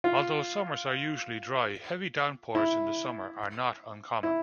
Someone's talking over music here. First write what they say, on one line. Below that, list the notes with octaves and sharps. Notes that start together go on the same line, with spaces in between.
Although summers are usually dry, heavy downpours in the summer are not uncommon.
F4
E4
E4